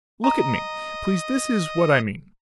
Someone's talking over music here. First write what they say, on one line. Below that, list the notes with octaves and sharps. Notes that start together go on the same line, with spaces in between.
Look at me, please--this is what I mean....
D#5 A#5